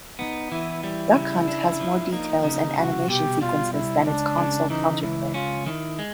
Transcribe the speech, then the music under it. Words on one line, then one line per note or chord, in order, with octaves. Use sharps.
Duck Hunt has more details and animation sequences than its console counterpart.
B3 D#4
E3 E4
G3 E4
C#3
D4
F3
A#3 D#4
C#3
C2 F#4
B2 G4
G3 F4
C2 E4
C#2 D4
C#3
E3 D#4
C#2 E4
C#4 F4
D#3 E4
G#3